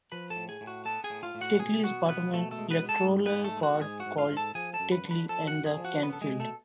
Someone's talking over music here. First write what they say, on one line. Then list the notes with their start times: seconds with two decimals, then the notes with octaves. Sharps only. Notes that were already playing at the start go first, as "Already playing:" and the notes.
Takeley is part of the electoral ward called Takeley and the Canfields.
0.12 F3 B4 B5
0.30 A4 A5
0.36 A2
0.49 G#4 G#5
0.61 A2
0.67 F#4 F#5
0.85 B3 A4 A5
1.04 G#4 G#5
1.10 A2
1.23 F4 F5
1.35 A2
1.41 F#4 F#5
1.59 B2 G#4 G#5
1.84 B3 F#4 F#5
2.09 B2 B3 B4
2.33 B2 A3 A4
2.51 A3 A4
2.58 G#3
2.70 B3 B4
2.83 B3
2.89 A4 A5
3.07 G#2
3.26 B3 B4
3.32 G#3
3.44 A3 A4
3.57 G#3
3.63 F#4 F#5
3.81 G#2 G#4 G#5
4.00 F#4 F#5
4.06 G#2
4.18 F4 F5
4.30 G#2
4.37 A4 A5
4.55 F3 G#4 G#5
4.73 A4 A5
4.80 F#2
4.92 B4 B5
5.04 D3
5.10 B4 B5
5.29 F3 A4 A5
5.47 F#4 F#5
5.54 F#2
5.66 G#4 G#5
5.78 F3
5.84 F#4 F#5
6.03 B3 C#4 B4
6.13 A4
6.22 G#3 G#4
6.28 B2
6.40 A3 A4